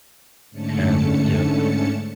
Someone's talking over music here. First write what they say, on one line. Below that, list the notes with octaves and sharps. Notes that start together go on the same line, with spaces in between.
and, you know
G#2 D3 A3 C#4 A5 C#7